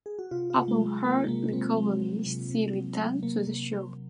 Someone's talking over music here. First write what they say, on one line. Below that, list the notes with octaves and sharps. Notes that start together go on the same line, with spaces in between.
Upon her recovery she returned to the show.
G#4
F#4
C3 F4
F4
C3
G#3
F#3
G#3
F#3 A#3
G#3
C3 A#3
C3 C4
F#3 G#3
F#3
C3
C3
F#3
F#3
C3 A#3
C3
F#3